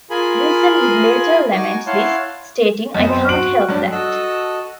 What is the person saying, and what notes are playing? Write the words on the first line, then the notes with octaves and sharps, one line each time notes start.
Wilson would later lament this, stating, I can't help that.
F4 G#4 A#4 G#5 B5
D#4 F#4 G#5 C#6 D6
E4 C#5 F5 F#5 A5 C6
F#2 B3 D#5
C4
F#4 D7 F#7
G2 F#3 D4
F#4 A4 D#5 E6 F#6